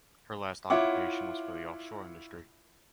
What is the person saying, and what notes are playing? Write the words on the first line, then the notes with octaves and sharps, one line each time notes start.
Her last occupation was for the offshore industry.
E4 F4 C#5 E5 F#5 D6